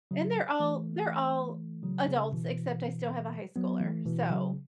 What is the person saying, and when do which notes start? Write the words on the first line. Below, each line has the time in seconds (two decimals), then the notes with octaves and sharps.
and they're all they're all adults, except I still have a high schooler, so
0.11 C#3 F#3
0.60 E3 A3
1.83 C#3 F#3
2.08 C#3
2.33 B2 E3
3.56 F#3 B3
3.80 E3 A3
4.05 B2 E3
4.30 C#3 F#3